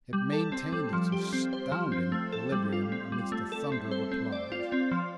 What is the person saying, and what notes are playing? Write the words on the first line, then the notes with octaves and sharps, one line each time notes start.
It maintained its astounding equilibrium amidst a thunder of applause.
G3
A4
C4
G3
F3
G4
C4
C5
F3
C4
A3
A4
G3
F4
C4
G3
A3
A4
C4
C5
C4
D5
F4
C4
F3